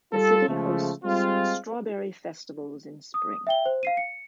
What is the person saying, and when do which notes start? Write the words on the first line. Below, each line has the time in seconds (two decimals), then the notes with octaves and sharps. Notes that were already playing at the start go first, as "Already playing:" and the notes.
The city hosts strawberry festivals in spring.
0.13 G3 F4 A4
0.48 C#3 F3 G#3 A3
1.04 G3 G#3 C4 F4
3.14 D#6
3.47 E5 G5 G7
3.66 C5
3.83 F5 C7 D#7
3.97 C#7